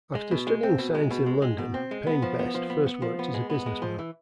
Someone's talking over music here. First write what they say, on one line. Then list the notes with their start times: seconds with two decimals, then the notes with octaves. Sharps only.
After studying science in London, Payne Best first worked as a businessman.
0.15 G#3
0.31 B2
0.47 G#3
0.63 C4
0.78 B2
0.95 G#3
1.10 B2
1.26 G#3
1.42 G#3
1.58 B2
1.74 C4
1.91 G#3
2.07 B3
2.22 F3
2.39 B3
2.54 F3
2.70 B3
2.87 B3
3.02 F3
3.19 B3
3.34 G#3
3.50 B3
3.66 G#3
3.82 F3
3.99 E3